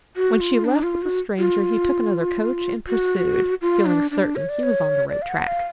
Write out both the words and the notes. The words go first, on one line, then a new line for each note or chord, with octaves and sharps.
When she left with the Stranger he took another coach and pursued, feeling certain he was on the right track.
F#4
F4
D4
F4
F#4
F4
F#4
F4
D4
D4
C#5
D5
C#5
D5
F5
F#5
F5